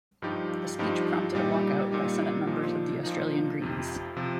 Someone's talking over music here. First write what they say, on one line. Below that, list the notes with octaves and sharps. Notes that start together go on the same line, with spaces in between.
The speech prompted a walk out by Senate members of the Australian Greens.
G2 F3 D#4 G4
G2 F3 D#4 G4
A#2 G3 D#4 G4
A#2 G3 D#4 G4
A#2 F3 D#4
A#2 F3 D#4
F2 C3 F3
C3 F3